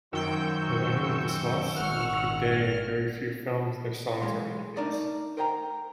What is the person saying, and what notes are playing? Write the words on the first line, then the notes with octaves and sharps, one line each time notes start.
Though Anil Biswas worked with Dey in very few films, their songs remain famous.
F#2 D#3 F3 F#3 G5 C#6 E6 G6
G#1 F#5 F6
B1 E3 G#3 F5 C6
A3 D4 D#4 A#4 D5 D#5
A#4 C5 D#5 G5 G#5 A#5